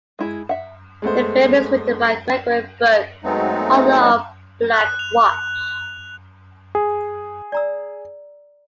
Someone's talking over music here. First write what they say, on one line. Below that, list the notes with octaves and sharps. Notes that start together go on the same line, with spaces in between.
The film is written by Gregory Burke, author of "Black Watch".
G#3 E4 G#4
E5 F#5
G#3 A3 B3 C5
F#3 G#3 A3 B3 C4 D#4
F#6
F7
G#4
D5 A#5 E6